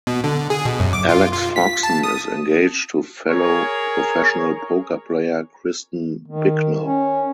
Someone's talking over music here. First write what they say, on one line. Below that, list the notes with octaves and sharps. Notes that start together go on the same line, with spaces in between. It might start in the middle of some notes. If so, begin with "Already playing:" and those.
Alex Foxen is engaged to fellow professional poker player Kristen Bicknell.
B2
D3
G#4
B2
F#2
D6
F4
F4
B6
A5
D#6
G#4 A#4 C#5
D#3
C#4